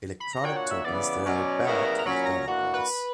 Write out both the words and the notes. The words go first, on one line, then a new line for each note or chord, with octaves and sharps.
Electronic tokens that are backed by governments.
B5
A#5
A#2 A#3 D4 F#4 C#5 G5
F#5
E5
C#3 E3 B3 D5
B2 F#3 C#4
C#3 G3 B3 E4 A#4 C#5
A#5
A#5
A#2 F#3 C#4 B5
A#5
E3 A#3 D4 F#4
B4